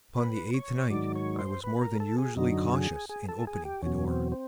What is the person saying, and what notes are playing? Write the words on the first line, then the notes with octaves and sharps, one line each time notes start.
Upon the eighth night I was more than usually cautious in opening the door.
B4
C#5
G#2 D#3 F#3 D5
C#5
C5
B4
A#4
A4
G#4
F#2 D3 F#3 D#4
G#4
G#4
A4
G#4
G4
E2 B2 F#3 C#4
C4
C4